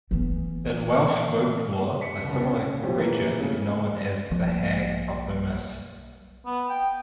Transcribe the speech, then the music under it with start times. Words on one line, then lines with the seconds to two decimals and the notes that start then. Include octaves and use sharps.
In Welsh folklore, a similar creature is known as the hag of the mist.
0.11 E3 B3
2.01 B6 C#7
2.24 F#1 C2
2.44 C#4
2.83 B1 F3 G4
2.95 E3 A#3 G#4 B4
3.40 C#3 A3
4.31 B1 F3 A#3
6.46 B3
6.69 G5